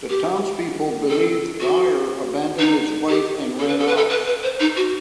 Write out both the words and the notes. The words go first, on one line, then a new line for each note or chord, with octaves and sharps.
The townspeople believe Geir abandoned his wife and ran off.
G4
A4
F#4
D#4
G4
A4
B4
A4
B4
A4
B4
B4
C5
D#4
F#4